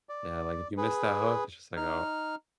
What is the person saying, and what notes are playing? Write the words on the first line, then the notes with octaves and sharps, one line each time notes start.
Yeah, like, if you miss that hook, it's just like, "Oh,
D5
G#4 B4
D#4 F6